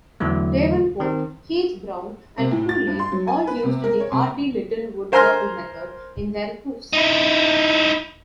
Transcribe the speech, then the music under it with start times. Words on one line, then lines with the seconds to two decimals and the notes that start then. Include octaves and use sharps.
Davenport, Heath-Brown and Hooley all used the Hardy-Littlewood circle method in their proofs.
0.20 E2 D3 E3 F#3 A3
1.00 D#3 C4
2.38 C3
2.51 A2
2.69 A6
2.87 G2
2.99 C6
3.12 F#3
3.28 G#5
3.47 B4
3.63 C3
3.84 A#4
4.00 C#5
4.12 C3
5.12 A#4 C5 G#5 A#5 C6 F6
6.93 D#4 E4